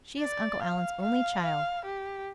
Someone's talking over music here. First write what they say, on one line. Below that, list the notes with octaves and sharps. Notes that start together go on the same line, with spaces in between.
She is Uncle Allan's only child.
D5
F5
F5
F5
G4